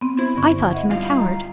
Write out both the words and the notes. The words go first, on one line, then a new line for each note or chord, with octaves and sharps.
I thought him a coward.
B3 C4
E4 C5
G2 D3 C#6
D#5 E5 F#5
G3 F4 F5
A#5